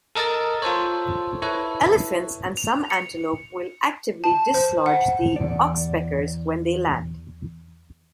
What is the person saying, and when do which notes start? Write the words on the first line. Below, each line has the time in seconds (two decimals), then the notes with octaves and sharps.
Elephants and some antelope will actively dislodge the oxpeckers when they land.
0.15 A4 A#4 D#5 A5 A6
0.62 F4 A4 C5 C#5
1.42 E4 A4 B4 C#5
2.57 F7
2.90 C#7
4.24 A5
4.54 C5
4.86 F#5
5.36 E2 D5